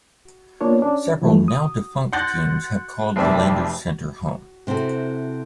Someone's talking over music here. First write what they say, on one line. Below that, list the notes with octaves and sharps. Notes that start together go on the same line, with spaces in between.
Several now-defunct teams have called the Landers Center home.
A#3 B3 D4 F4 C#5
C#4 D4
E3 F3 G3 A3
D#6
F#5 C6 G6 A6 A#6 F#7
F1 F2 C4 D5 E5
C3 C4 E4 F#4 A4